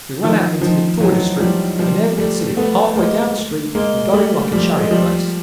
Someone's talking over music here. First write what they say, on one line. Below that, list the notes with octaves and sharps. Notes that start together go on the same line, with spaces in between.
We ran out into Victoria Street, and there we could see it half-way down the street and going like a chariot race.
D#3 F3
D#3 F3
E3 F#3
F3 G3
F3 G3
G3 A3
A3 B3
G#3 A#3
G#3 A#3
G3 A3
F3 G3
G#3
F3 G3